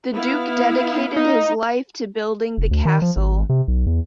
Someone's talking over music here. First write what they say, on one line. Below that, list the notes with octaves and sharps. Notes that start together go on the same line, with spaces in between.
The Duke dedicated his life to building the castle.
B3 E4 F5
D#4
F1
D2
D#3
F3
G#1
C3
B1
E2